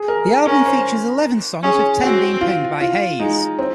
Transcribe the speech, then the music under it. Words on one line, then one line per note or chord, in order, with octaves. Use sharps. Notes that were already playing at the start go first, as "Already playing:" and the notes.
The album features eleven songs, with ten being penned by Hayes.
Already playing: G#4
A#4
C#4 A#4
C5
C#4 G#4
C4 F#4
F4
F4
G#3 D#4
C4